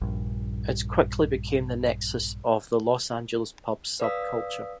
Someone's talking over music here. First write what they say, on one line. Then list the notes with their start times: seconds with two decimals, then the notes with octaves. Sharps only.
It quickly became the nexus of the Los Angeles punk subculture.
0.01 A#1 G2
4.00 B4 D5 F5 D#6 E6 B6